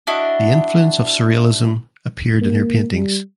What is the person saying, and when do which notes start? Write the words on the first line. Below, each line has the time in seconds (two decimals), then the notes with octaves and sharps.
The influence of surrealism appeared in her paintings.
0.07 D4 E4 F#4 D#5
2.41 A#3
2.92 G3